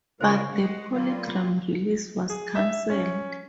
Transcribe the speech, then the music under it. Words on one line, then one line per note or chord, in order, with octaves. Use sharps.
But the PolyGram release was canceled.
C#3 G3 F4 A#4 C5 C#6
G#3 F#5
F#3 G3 A#3 F4
G#4
E5
C#4